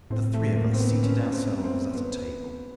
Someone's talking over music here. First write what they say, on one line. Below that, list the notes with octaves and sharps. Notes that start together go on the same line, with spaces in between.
The three of us seated ourselves at a table.
A2 C4
A3
A#3
C4
B3
C#4
C4
C4
B3